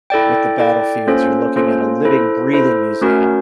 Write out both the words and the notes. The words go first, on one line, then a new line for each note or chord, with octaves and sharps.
with the battlefields, you're looking at a living, breathing museum.
E4 A4 D5 G5
E4 A4 D5 G5
A#3 C#4 F4 A4 C5
A#3 C#4 F4 A4 C5
E4 A4 C5
E4 A4 C5
A3 C#4 F#4 A#4